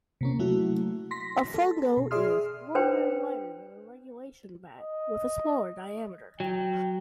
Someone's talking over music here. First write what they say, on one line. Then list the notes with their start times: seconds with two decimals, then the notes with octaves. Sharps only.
A fungo is longer and lighter than a regulation bat, with a smaller diameter.
0.21 C3 A#3 C#4
0.39 F#3 A3 E4 F#4
1.11 C6 A#6 B6
1.54 A4
1.97 B2
2.11 G#4 D5 E5 C6 D#6 F6
2.75 D4 B4 C5 G5
4.78 D#5
6.40 F#3 G5